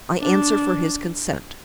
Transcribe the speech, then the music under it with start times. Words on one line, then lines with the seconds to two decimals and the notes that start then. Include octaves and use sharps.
"I answer for his consent."
0.21 D4